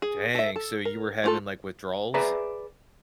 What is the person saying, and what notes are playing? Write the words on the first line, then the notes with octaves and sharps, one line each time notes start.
Dang. So, you were having, like, withdrawals?
G#4
A4 E5
A4
A#4
A3 F4 A4
G#4 B4 D5 E5 A#5